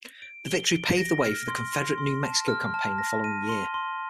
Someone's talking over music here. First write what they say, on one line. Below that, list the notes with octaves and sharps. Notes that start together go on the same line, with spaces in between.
The victory paved the way for the Confederate New Mexico Campaign the following year.
D7
G7
D7
A#6
F6
C6
C6
C6
A5
F6
A5
A#6
D#7
C6
C6